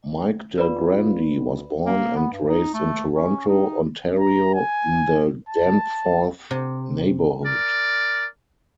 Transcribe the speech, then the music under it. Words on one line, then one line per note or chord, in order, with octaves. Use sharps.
Mike Del Grande was born and raised in Toronto, Ontario in the Danforth neighbourhood.
F4 B4 D5 B5
D2
A#3
B3
G2
D#4
A3
C#4
D#4
A#5
G#5
A5
C3
A#4 D5